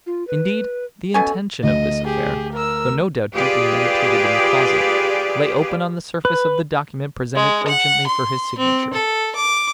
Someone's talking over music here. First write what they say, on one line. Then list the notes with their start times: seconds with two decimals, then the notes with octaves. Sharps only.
Indeed, the intention of this affair, though no doubt deeply meditated in the closet, lay open on the surface of the document presented urgently for his signature.
0.06 F4
0.28 B4
1.14 B2 C#4 A4 G#5
1.63 D2 D#5
2.05 G4 G#4
2.53 A#4 E6
3.35 F4 G4 G#4 B4 D5
6.25 B4
7.35 G#3
7.68 F#5
8.07 C6
8.58 C4
8.93 A4
9.36 D6